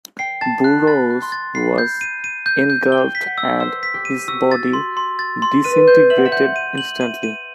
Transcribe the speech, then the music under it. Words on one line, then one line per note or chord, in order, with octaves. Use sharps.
Burroughs was engulfed and his body disintegrated instantly.
G5 C7
A5 A6
B5 F#6
B5 A6
F#6
C6
A6
B5 C7
G6
D#7
D#7
G6
G6
G5 G7
B6
F#5
E6
C5 E6
B6
G4
D#7
F#4 E6
A6
C6
C6
A6
C6
B4 D#7
C5 G6
E5 F#7
F#5
E5
F#5 G6
D#7
F#7
D#7
D#7